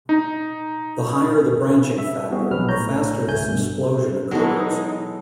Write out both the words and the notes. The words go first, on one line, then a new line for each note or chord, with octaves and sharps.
The higher the branching factor, the faster this "explosion" occurs.
D#4
E5
E3 G3 B3 C4 F#4 G#4
A#1 B2 F#3 B4 F6
A2 C#5 A#5 G6
G#1 C#2 A3 G#5 G6
G2 B2
E3 F#3 G#3 B3 D#4 A4